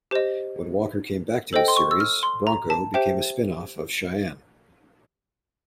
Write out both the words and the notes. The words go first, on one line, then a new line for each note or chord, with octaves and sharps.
When Walker came back to his series, "Bronco" became a spin-off of "Cheyenne".
G4 C5 D#5
A4 C5 D#5 G5
C6
C#6
E6
F6
C6
A#5
A5
G4 C5 E5 G5